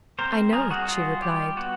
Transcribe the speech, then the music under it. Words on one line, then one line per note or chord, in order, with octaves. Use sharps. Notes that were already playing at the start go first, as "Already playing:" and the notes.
"I know it," she replied.
C4 A#4 C5
G3 G#4 A#4
F#4 G#4
F4 F#4 G#4
G3 G4
B3 F#4